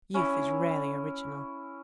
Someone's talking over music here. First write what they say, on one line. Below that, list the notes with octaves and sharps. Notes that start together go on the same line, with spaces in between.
Youth is rarely original.
C#4 E4